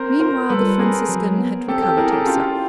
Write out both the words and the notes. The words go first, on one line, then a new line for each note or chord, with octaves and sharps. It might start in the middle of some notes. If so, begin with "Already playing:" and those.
Meanwhile the Franciscan had recovered himself.
Already playing: C4 A#4 C5
F4 A#4 C5
G3 A4 B4
C4 G#4 A#4
F#3
B3
C4 G4 A4
G4 A4
E4 G#4 A#4
G4 A4
C#4 F4 G4